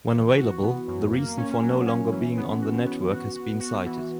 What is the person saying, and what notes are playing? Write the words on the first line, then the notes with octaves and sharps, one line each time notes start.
When available, the reason for no longer being on the network has been cited.
E3
F#4
B3
F#2
A#3
C#4
F#3
C#4
E3
B3
F#4
B3
F#4
F#4
F#4
E3